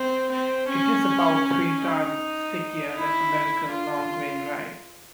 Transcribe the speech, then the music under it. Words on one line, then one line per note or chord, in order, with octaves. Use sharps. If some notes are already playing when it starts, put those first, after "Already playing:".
It is about three times stickier than American long-grain rice.
Already playing: C4
C4
C#4
D#4
E4
F4